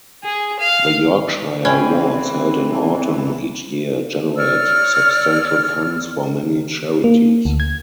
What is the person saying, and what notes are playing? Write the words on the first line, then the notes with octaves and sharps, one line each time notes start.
The Yorkshire Awards, held in Autumn each year, generate substantial funds for many charities.
G#4
F5
E2 E3 C4 C#4 B4 G5
C#5 D5 E6 F6
A#3
D2
G#6